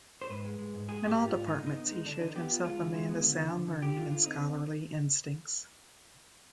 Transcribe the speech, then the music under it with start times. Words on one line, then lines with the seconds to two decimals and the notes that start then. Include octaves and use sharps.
In all departments he showed himself a man of sound learning and scholarly instincts.
0.22 C5
0.30 G#2 B4
0.45 G#3
0.59 G#3
0.74 G#2
0.88 G#3 G#4
1.03 G#2 G#4
1.08 G4
1.18 G#2
1.28 G#2 F4
1.47 D3 D#4
1.62 D3 D#4
1.76 B3
1.86 G#3 D#4
2.05 D3 D4
2.20 D3 D#4
2.35 B3 G4
2.50 B3 F4
2.65 G#3 F4
2.79 D3
2.94 G#3
3.09 B3
3.23 D3
3.38 D3
3.52 D3
3.67 D3
3.82 D3 G4
3.96 D3 F4
4.11 D3 F4
4.26 C4 D#4